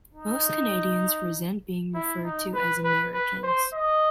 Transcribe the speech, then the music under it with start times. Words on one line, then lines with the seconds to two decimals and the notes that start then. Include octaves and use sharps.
Most Canadians resent being referred to as "Americans".
0.14 D#4
1.95 E4
2.24 D#4
2.54 B4
2.84 B4
3.14 B4
3.43 C5
3.74 D#5